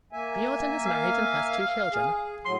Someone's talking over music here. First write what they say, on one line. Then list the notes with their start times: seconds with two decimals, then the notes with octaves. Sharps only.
Riordan is married and has two children.
0.13 A#3 E5 G#5
0.86 F5
1.93 G#4
2.45 A2 F#3 C6